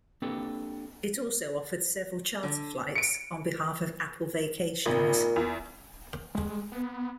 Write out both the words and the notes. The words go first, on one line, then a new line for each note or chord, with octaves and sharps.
It also offered several charter flights, on behalf of Apple Vacations.
A#3 C4 D4 G4 A4 B4
D3
C#7 D7
G#1 A#2
E2
G#3
B3